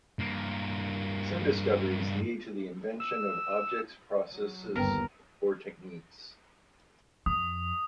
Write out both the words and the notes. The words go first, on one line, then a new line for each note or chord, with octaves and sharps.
Some discoveries lead to the invention of objects, processes, or techniques.
G2 A#3
E6
F#3
G1 D#2 B3 A#4 B4 G5
F2 D#6